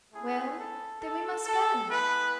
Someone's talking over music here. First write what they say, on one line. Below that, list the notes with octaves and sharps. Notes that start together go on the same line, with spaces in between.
"Well, then we must go!"
A3 C#4 E4 G#4
A4
A4
A4
G#3 B3 E4 B4